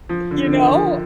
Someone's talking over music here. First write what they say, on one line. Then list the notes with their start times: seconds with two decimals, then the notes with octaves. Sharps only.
you know?
0.09 F3
0.31 D3
0.45 D3
0.52 D#3
0.66 D#3
0.74 F3